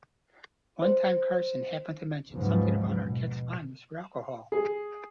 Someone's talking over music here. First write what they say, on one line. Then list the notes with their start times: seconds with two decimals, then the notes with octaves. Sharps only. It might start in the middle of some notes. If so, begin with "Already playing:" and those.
One time Carson happened to mention something about Arquette's fondness for alcohol.
0.82 C5
2.32 D#2 G#2 C#3 F3 F#3 B3
3.04 B2
4.52 G#4